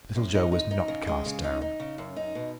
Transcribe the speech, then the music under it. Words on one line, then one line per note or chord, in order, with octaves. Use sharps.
Little Joe was not cast down.
F#2
D#4
D#4
D#4
C#3
G#3
C#3
D#4
D#4
C#3
F#2
D#4
B2